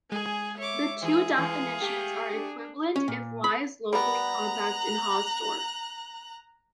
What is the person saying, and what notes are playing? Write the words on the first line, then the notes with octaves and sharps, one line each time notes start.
The two definitions are equivalent if Y is locally compact and Hausdorff.
G#3 G#4 G#5
C#5 E5 D6
E3 G#4
E3 A3 F5
A3 G4
D4
C#4
A#2
B5
G3 B3 A#5 F#6